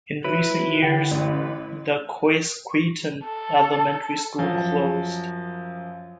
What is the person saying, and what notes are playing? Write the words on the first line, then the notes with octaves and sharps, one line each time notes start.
In recent years, the Quasqueton Elementary School closed.
F#3 E4 B4
D3 G4 F#5 G5
A1
A4
F#2 F3 F#3